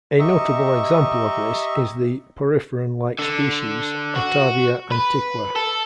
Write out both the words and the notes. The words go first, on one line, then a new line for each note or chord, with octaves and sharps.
A notable example of this is the poriferan-like species "Otavia antiqua".
G4 D#5 E5 A#5 C#6
D3
F#4
B4
A4